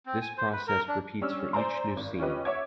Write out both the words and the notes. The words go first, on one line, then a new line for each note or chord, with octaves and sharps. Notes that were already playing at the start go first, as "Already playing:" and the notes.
This process repeats for each new scene.
C4
G#5
C5
B4
A#4
D4
G3 C#4 D4 E6 F6
C5 D5 G#5 A#5 C6
G#1
C#4 F4 G4 B4 D#5
C#5 E5 F#5 C#6 D6 G#6